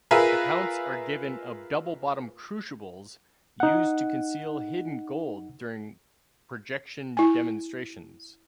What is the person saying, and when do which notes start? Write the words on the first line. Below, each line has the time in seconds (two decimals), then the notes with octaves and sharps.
Accounts are given of double-bottomed crucibles used to conceal hidden gold during projection demonstrations.
0.11 F4 G#4 A#4 B4 E5
3.60 D#4 F#5
7.17 E4 G#5